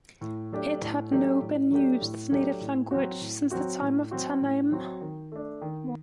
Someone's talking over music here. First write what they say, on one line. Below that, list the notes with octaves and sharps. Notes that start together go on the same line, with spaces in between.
It had no been used as native language since the time of Tannaim.
A2
F#3 A3 D4 G4
A2
F#3 A3 D4 G4
A2
F#3 A3 D4 G4
A2
F#3 A3 D4 G4
A2
F#3 C4 F#4
A2
F#3 C4 F#4
A2
F#3 C4 F#4
A2
F#3 C4 F#4
D#3
A3 D4
D#3